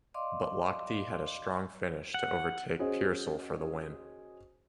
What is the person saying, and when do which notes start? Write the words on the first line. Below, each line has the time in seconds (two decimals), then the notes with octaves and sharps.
But Lochte had a strong finish to over-take Peirsol for the win.
0.14 D5 D#5 F5 C6 D6
2.14 F#5
2.79 C#4 F#4 G#4 C5 D#5